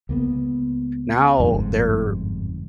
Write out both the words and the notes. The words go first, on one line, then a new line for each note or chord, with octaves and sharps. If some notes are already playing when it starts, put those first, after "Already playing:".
now they're
C#2 A#3 B3
G1 F2 G#2